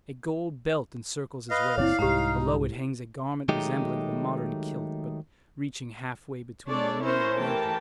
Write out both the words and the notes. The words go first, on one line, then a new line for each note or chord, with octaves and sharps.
A gold belt encircles his waist, below it hangs a garment resembling the modern kilt, but reaching halfway between the knee and the ankle.
B4 D#5 F5
F#1 A#2 C4 E4 C#5 D5
C2 G#2 D#4 G4 A#5
D#3 F#3 G#3 A3 D#4 G4
G#3 D4 A4 C#5 D5
C#4 E4 A#4 C5 C#5
E3 A3 G4 A#4 G5 A5